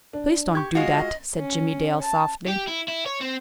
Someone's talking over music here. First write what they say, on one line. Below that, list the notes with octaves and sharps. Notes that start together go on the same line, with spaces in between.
"Please don't do that," said Jimmie Dale softly.
D4
G4 C#6 G#6
G#3 F4 F#4 D#5
C#4
A5
G4
E4
E4
C#5
C4